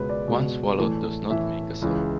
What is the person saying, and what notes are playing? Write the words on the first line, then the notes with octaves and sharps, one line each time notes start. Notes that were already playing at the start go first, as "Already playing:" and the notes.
One swallow does not make a summer.
Already playing: C#2 B2 G#3 B4 C#5
D5
C#2 B2 G#3
A2 E3 A3
A2 E3 A3 E5
C#2 C#3 E3